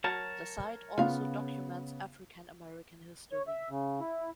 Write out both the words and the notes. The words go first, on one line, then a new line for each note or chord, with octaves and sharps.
The site also documents African-American history.
F#3 A#4 C#5 A5
C#3 B3 F4 F5
C#5
E5
C#3
E4